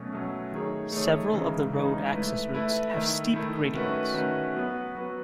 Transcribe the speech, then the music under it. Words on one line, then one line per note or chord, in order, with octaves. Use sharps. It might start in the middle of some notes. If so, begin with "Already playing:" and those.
Several of the road access routes have steep gradients.
Already playing: B2 F#3 A3 C#4
B2 F#3 A3 C#4
D#3 A3 D#4 G#4 C#5
D#3 A3 D#4 G#4 C#5
C#3 E3 G#3 D#4
C#3 E3 G#3 D#4
A3 E4 B4
A3 E4 B4
D#3 A3 E4
D#3 A3 E4
D#3 A3 C#4 F#4 B4
D#3 A3 C#4 F#4 B4
F#3 B3 F#4 B4
F#3 B3 F#4 B4